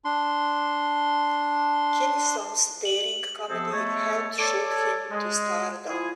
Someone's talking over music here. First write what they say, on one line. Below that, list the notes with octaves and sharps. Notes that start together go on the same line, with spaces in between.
Kinison's daring comedy helped shoot him to stardom.
D4 C6
F#7
C3 F3 B3 C4 G#4 A4
G#3 A3 B3 E4 A4 C#5
A4 C#5 D5
G#3
F3 E4 F4 G#4